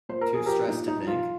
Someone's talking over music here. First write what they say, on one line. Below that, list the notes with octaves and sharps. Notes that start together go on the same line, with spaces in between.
Too Stressed to Think?
A#2 C5
A#4
G#4
F3
G4 A#4
A#2 D#4
D#4
F3
F4